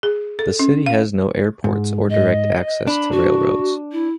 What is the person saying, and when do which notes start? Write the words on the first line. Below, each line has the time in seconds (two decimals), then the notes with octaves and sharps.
The city has no airports or direct access to railroads.
0.03 G#4
0.39 A4
0.59 C#4
0.86 F5
1.64 G#2
2.10 D#5
2.87 D4 B5
3.11 F#4
3.91 E4